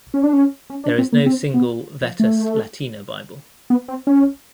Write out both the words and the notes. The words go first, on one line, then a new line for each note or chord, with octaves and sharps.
There is no single "Vetus Latina" Bible.
C#4
D4
C#4
C#4
D4
C4
A#3
C4
B3
F3
A3
B3
C4
C#4